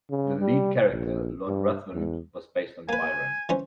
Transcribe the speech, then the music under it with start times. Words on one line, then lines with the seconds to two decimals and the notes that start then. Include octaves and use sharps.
The lead character, Lord Ruthven, was based on Byron.
0.10 C#3
0.41 G3
0.90 A#1
1.47 G2
1.93 E2
2.89 A#3 B4 G#5
3.49 E3 C#4 C5